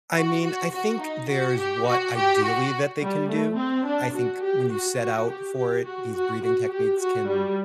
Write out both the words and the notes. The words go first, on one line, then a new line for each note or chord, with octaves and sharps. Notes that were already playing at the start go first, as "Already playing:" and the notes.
I mean, I think there's what ideally that they can do. I think when you set out for it, these breathing techniques can
F#4
F#4
F#4
D#4
F#4
G4
F#4
G4
F#4
G3
A3
C4
D4
F#4
G4
F#4
F#4
G4
G4
F#4
F#4
F#4
G4
F#4
G3